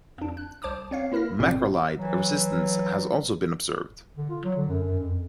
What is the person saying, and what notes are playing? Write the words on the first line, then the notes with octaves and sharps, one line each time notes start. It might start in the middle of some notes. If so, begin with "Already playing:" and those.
Macrolide resistance has also been observed.
F2 D4
F#6
C2 C5 A5 D6 D#6
C4 C#5 F5
A#3 E4 A#4 F6 A#6
G#1 G#2 B2 D3 G3 C4
E3 F#3
D3
F4
F#3
D3
F#2
F#2
F2